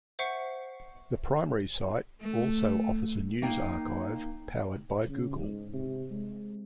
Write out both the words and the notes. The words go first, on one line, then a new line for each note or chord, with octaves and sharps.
The primary site also offers a news archive powered by Google.
C5 E5 F#5 C#6 C7 C#7
A3
A#3 D#4 G5
C#3
G#2
C3
G#3